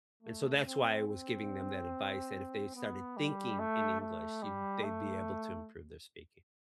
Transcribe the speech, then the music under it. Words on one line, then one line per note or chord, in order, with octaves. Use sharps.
And so that's why I was giving them that advice that if they started thinking in English, you'd they'd be able to improve their speaking.
A3
C4
C4
B3
G3
A3
A3
G3
A3